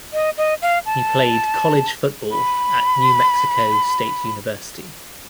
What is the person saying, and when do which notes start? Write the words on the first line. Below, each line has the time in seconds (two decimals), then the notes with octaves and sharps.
He played college football at New Mexico State University.
0.13 D#5
0.37 D#5
0.62 F5
0.86 A5
2.31 B5